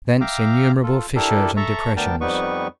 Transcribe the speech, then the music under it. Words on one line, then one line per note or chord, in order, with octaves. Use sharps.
Thence innumerable fissures and depressions.
E5 F5 G5 A#5 D6 F6
F4 A4
D4 E4 G4 A4 A#4
A4 E5 A5 A#5 C#6
D2 B3 D4 A#4 G5 A5
F2 G3 B3 D#4 B4 C#6